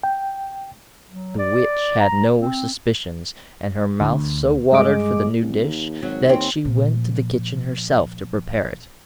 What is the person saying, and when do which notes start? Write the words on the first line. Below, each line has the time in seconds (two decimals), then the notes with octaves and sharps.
The Witch had no suspicions, and her mouth so watered for the new dish, that she went to the kitchen herself to prepare it.
0.03 G5
1.08 F#3
1.38 D5
2.00 A#5
2.40 C4
4.01 D2
4.72 G2 G#3 D#5 D6
5.42 C2
5.63 D#2
6.02 G#1 F#3
6.29 D#2 C4 C#4
6.65 A#2 F3